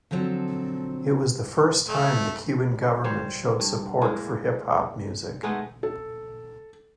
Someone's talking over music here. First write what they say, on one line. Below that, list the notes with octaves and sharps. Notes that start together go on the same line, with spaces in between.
It was the first time the Cuban government showed support for hip hop music.
D3 F3 F#3 C4 A4
A3
G3 C5 C#5
G2
A2 G#3 A#3
G#3 A3 B3 D#4
A4